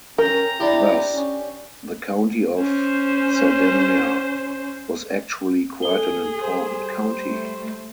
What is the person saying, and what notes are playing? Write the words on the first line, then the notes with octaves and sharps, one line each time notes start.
Thus, the county of Cerdanya was actually quite an important county.
C#4 A#4 G5 A#5
D4 E4 G4
C#4
C#4 C5
G#4 A4 G7
G3 C5
A3